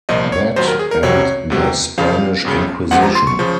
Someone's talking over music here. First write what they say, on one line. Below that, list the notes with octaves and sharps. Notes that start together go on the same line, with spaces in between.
That and the Spanish Inquisition.
C2 A#2 F3 D#5
C#5
D#2 D#3 F#3 C5
A#4
G#4
A#4
C2 C3 F#3 C#5
C#2 C3 F#3
F2 C#3 F3 F5
G#1 F#2 C#3
G#1 G#2 F3 F#5
A#5
C6
C#6
C#3 F3